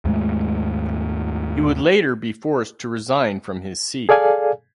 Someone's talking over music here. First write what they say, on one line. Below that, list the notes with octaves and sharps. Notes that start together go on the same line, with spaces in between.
He would later be forced to resign from his seat.
D#2 G#2 G#3 A3
G#4 A4 D5 F5 G#5